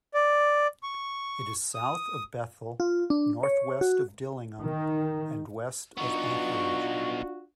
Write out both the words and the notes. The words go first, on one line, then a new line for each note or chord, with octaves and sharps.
It is south of Bethel, northwest of Dillingham and west of Anchorage.
D5
C#6
D#6
F4
D4
C#5
F#4
D#3
B3 D4 D#4 F4 F#4 C#6